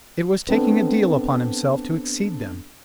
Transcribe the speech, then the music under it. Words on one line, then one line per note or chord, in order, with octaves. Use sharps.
It was taking a deal upon himself to exceed them.
B3 C4 D4 A4